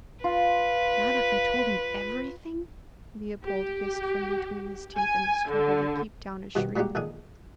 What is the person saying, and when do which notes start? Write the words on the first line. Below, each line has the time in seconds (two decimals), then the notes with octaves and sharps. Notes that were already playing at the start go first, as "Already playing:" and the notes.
"Not if I told him everything?" Leopold hissed from between his teeth in the struggle to keep down a shriek.
0.24 F4 B4
3.46 G4
4.96 G#5
5.50 D3
6.55 G2 B2 D#3 C4 F#4
6.76 A#2 G3 G#3 D#4 F#4 G4
6.95 A#1 D3 D#3 G#4 D#6